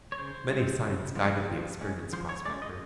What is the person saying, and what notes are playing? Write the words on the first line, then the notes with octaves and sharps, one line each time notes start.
Many signs guided the experienced prospector.
C#5
C#3 C5
F3 G#3 C4
C#3
F3 G#3 C4
F3
G#3 C#4
F3 C5
C#5
G#3 C#4 D5
D#5